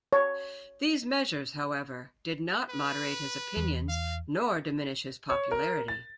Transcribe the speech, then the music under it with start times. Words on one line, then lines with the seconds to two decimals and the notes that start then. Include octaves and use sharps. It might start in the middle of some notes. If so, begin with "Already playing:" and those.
These measures, however, did not moderate his opinions, nor diminish his popularity.
0.13 C#5
2.70 B4
3.57 E2
3.89 F5
5.30 C#5
5.51 A#4
5.88 A6